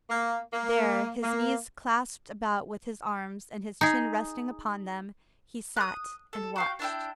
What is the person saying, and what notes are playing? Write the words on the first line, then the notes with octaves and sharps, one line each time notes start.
There, his knees clasped about with his arms, and his chin resting upon them, he sat and watched.
A#3
A#3
A#3
D#4 G#4
D#6 F#6
A4
F#4 F5 G5
D4 E4 G5